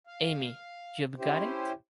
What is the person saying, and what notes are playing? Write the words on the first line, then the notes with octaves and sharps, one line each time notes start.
Amy, you've got it?
F5
C#4 E4 G4 C5